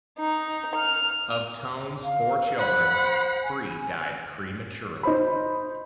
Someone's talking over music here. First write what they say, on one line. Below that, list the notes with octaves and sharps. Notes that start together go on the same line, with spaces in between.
Of Tone's four children, three died prematurely.
D#4
F6
F5
C5 F#5 B5
C5
G#5
D#4 C5 B5